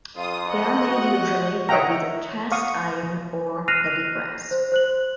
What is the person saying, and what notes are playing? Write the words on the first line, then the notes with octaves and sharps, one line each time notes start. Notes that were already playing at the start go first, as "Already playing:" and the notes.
They are made usually of either cast iron or heavy brass.
F2 F4 D#6
D#5 F#5
F#4
C#5 D#5 E5 F#5 G5 A#5
F5 F#5 C#6 D#6
F6 F#6 A#6 C7 D#7 F7
C5
C5 F#6 F#7